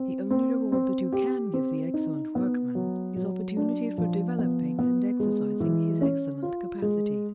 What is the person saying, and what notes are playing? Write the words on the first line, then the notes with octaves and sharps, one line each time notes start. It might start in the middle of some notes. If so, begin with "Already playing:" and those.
The only reward that you CAN give the excellent workman is opportunity for developing and exercising his excellent capacity.
Already playing: C4
C4
C4
G4
C4
D#4
B3
F#3
F#3
D4
F3
B3
B3
G#3
E3
C#4
F4
G#3